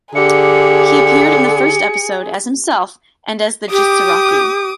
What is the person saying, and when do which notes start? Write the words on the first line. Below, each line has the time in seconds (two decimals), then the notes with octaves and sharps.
He appeared in the first episode, as himself and as the Jitsuroku!
0.15 D3 G4 G#4 C#7
3.71 G4 D6 D#6